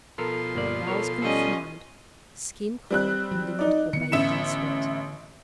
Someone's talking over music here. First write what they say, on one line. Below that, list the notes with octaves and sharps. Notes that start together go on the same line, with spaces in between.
Bowels confined, skin cold and livid or bathed in sweat.
B2 F3 A4 A#4 C6
G1 A#3 D5
A4 A#4 C#5
G3 C#4 F4 A4 D#5
G3 C4 F#6
F3 F#3
D#4 D5
D3 E3 B3 C#7
A1 E5 E7